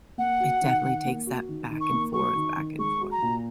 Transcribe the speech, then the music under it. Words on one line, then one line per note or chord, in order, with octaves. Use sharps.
it definitely takes that back and forth, back and forth.
A#3 F#5
F#4
D#3
D#3
A#3
F#4
D#3
D#3
C#6
A#3
F#4 C#6
D#3
D#3
G#3 C#6
F#4
A#5
A#2